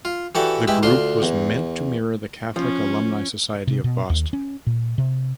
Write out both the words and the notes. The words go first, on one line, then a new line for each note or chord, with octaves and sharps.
The group was meant to mirror the Catholic Alumni Society of Boston.
F4
E3 F#4 G4 A4 D5
G#3 E4 G4 B4
D2 D4 F4 C6
E2
F3 C#4
C3
B2
D#2
C#4
A#2
C3